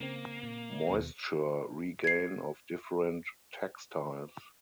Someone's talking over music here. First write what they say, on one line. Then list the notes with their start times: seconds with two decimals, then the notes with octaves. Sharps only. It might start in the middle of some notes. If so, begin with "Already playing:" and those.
Moisture regain of different textiles.
0.01 C#3 A#3 C4
0.43 A#2
0.90 D#2 B2
2.04 G#6 C7